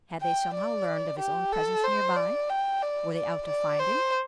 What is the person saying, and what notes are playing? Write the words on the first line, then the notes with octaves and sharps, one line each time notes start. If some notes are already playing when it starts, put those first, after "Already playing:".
Had they somehow learned of his own presence nearby, were they out to find him?
G5
D5
G4
A4
C5
D5
G5
D5
D5
D5
C5